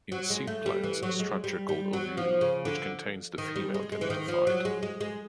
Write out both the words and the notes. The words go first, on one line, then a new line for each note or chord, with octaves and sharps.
In seed plants, a structure called ovule, which contains the female gametophyte.
F#3
G#3
A3
G3
E3
F#3
G#3
G3
G3
F#3
F3
C#3
D3
D#3
G3
G#3
G#3
E3
D#3
F3
F#3
G#3
G#3
G#3